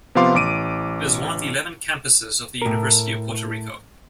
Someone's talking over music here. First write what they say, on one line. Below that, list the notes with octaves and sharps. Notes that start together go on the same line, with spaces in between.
It is one of the eleven campuses of the University of Puerto Rico.
C3 F3 B3 F5 C6 D6
A1 D6 D7 D#7
A2 A#4